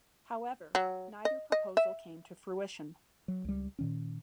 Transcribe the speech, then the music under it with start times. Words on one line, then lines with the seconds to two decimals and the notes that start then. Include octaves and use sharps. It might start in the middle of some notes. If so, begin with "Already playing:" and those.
However, neither proposal came to fruition.
0.75 F#3
1.25 D#5
1.52 D#5
1.77 E5
3.28 F#3
3.45 C#2 G3
3.79 A#2 D#3 C#4